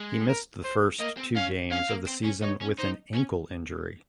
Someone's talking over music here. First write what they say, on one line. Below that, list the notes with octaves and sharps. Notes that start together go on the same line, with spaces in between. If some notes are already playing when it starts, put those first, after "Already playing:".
He missed the first two games of the season with an ankle injury.
Already playing: G#3
A#4
C5
A#3 D#5
C4
C#4 F5
C#4 F5
A#3
C4
C#4
D#4 C#5
C#4
D#4 C5
C#4